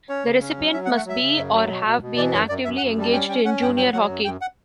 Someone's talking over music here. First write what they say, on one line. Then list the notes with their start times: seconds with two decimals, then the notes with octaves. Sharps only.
The recipient must be or have been actively engaged in junior hockey.
0.09 C#4 C#5
0.26 C#3
0.42 C#4
0.58 F#3
0.73 F#3 E5
0.85 F#5
0.89 A3
0.97 F#5
1.05 F#3 E5
1.21 C#3
1.37 F#2
1.53 F#3
1.69 B2
1.86 B2
2.02 B2
2.17 E3 D5
2.33 F#2 C#5
2.49 F#2 D5
2.65 F#2 E5
2.77 F#5
2.81 F#2
2.98 G3 A5
3.13 C#4 G5
3.29 C#4 G5
3.45 C#4 F#5
3.61 G2 G5
3.77 F#3 G5
3.93 F#3 F#5
4.09 F#2
4.25 F#2 G5
4.41 F#5